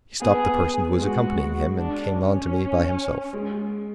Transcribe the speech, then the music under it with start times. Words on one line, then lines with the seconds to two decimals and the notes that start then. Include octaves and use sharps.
He stopped the person who was accompanying him and came on to me by himself.
0.21 B3 G#4
0.99 G#3 F#4
1.78 D4
2.16 C#4
3.33 G#3